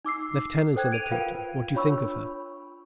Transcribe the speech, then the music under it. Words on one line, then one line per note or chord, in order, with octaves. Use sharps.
"Leftenant," said the captain, "what do you think of her?"
D#4 D6 E6 C7
A4 C5 G5 F#6 G#6
G#6 D7 D#7 F7
F4 A#4 B4 F5 G5
D4 F4 C#5 B5 C#6 E6